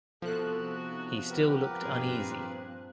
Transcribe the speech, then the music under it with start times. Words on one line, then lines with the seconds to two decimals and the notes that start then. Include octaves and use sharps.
He still looked uneasy.
0.22 C3 F3 B3 F#4 A4 F#6
0.85 D#4
1.29 G4 A#4 B4 F#5
1.79 G2 A#2 C4 G#4